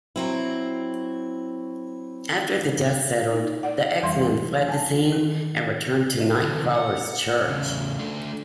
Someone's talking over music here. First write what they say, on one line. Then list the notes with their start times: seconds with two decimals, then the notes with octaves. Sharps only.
After the dust settled, the X-Men fled the scene and returned to Nightcrawler's church.
0.16 F#3 C4 E4
3.33 D#4
3.63 D5 F#5
4.03 F2 E3 G3 E5 F5 C6
4.69 G#5 A5
5.12 D#3
6.43 D3 E3
6.75 F#5
7.49 E2 C#3
7.99 A3 D4